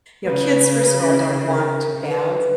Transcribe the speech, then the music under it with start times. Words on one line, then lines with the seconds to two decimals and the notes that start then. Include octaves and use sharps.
You know, kids, first of all, don't want to have
0.24 C#3 B4
1.47 A#4
2.02 C5
2.07 D3 B4